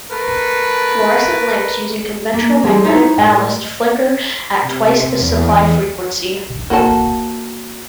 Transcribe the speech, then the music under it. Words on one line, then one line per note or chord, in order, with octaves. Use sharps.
Fluorescent lamps using conventional magnetic ballasts flicker at twice the supply frequency.
A3 A#4 B4
A#3
E3 G3 G#3
D#4 E4 F#4 C5 C#5 E5
A2 G#3 A#4 D#5
C3
E2
A#3 F#4 A4 C5 A5